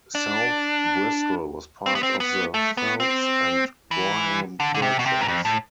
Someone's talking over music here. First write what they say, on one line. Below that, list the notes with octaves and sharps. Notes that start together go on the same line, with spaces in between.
South Bristol was part of the Phelps and Gorham Purchase.
D4
C4
B3
C4
B3
A3
B3
C4
E3
D3
D3
C3
B2
C3
G#2
F2
A2